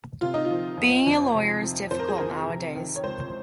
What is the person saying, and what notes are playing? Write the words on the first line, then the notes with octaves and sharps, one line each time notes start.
Being a layer is difficult nowadays.
C3 F4
D#4
F4
F3
F2
F2
C3
F3
F2 C5
A#4
G#4
F2 A#4
C3
D#3
C#5
C#2 C5